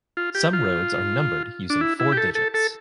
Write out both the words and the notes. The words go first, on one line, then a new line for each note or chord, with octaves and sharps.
Some roads are numbered using four digits.
F4
G4
F4
D4
E4
E4
G4
A4
A4
A4